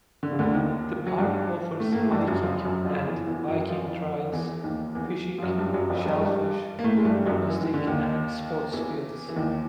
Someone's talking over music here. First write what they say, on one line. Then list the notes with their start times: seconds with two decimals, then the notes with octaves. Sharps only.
The park offers hiking and biking trails, fishing, shellfish harvesting, and sports fields.
0.23 D3
0.32 C#3
0.39 D2 D3
0.55 D#2 D#3
1.06 F#3
1.18 G2 G3
1.80 A2 A3
1.92 A#3
1.96 A2 A3
2.05 G#3
2.12 G2 G3
2.27 F#2 F#3
2.43 F2 F3
2.65 F#2 F#3
2.85 F2 F3
3.06 E2 E3
3.27 E2 E3
3.48 F#2 F#3
3.69 F3
3.76 E3
3.84 F2 F3
4.32 E2 E3
4.64 D#2 D#3
4.95 E2 E3
5.38 F3
5.42 F#2 F#3
5.58 G2 G3
5.73 F#2 F#3
5.90 F2 F3
6.06 G2 G3
6.15 G#3
6.21 G2 G3
6.79 A#3
6.84 A2 A3
6.97 G#3
7.05 G2 G3
7.26 F#2 F#3
7.47 E3
7.61 D#3
7.74 D3
7.87 D#2 D#3
8.73 E2 E3
9.28 E3
9.36 D#2 D#3